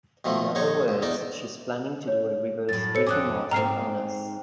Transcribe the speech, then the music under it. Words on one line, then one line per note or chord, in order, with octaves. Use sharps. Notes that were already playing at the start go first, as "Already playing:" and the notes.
In other words, she's planning to do a reverse Ricky Martin on us.
B2 D#3 F3 A3
A#1 D3 D#4 C#5
C#2
E2 D#4 D5
C#5
F#2 A2 A6
A4 C5 C#5 C#7
F2 D3 C#4 C#5 D6 D#6 F#6
G#2 C4 D#5 G5 A#5 F6 C7